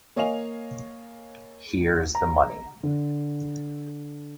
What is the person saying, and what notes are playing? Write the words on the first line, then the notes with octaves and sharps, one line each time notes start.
Here's the money.
A#3 C#5 D#5 F5 G#5 F7
A#5
D3